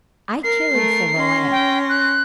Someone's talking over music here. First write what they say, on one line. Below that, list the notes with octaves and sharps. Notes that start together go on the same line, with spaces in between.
I cared for the lad.
A#4 C7
A3 A#4
C#4 C6 A#6
G5
F#6